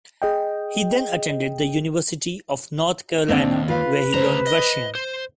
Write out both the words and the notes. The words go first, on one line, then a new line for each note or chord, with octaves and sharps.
He then attended the University of North Carolina, where he learned Russian.
G#4 D#5 G5
D#2 A#3 C4 D4
F4 B4 F5
D2 C5 A#5
D#5
C5